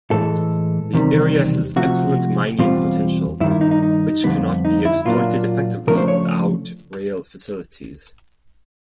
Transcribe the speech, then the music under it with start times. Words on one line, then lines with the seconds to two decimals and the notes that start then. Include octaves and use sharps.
The area has excellent mining potential which cannot be exploited effectively without rail facilities.
0.11 A2 E3 G#3 A4
0.93 E2 C3 D#3 G3
1.76 C3 F3 A3 F#4
2.59 E2 B2 G3 C4 F4
3.41 G2 D#3 G3 E4
3.51 E4
3.61 D#4
3.71 D#4
3.83 D#4
4.24 F2 D3 G3 B3
4.65 D#4
4.85 E4
5.05 A#2 F#3 A#3 D4 F4
5.87 C#3 F3 A3 D4 A#4
5.98 C5
6.08 C#5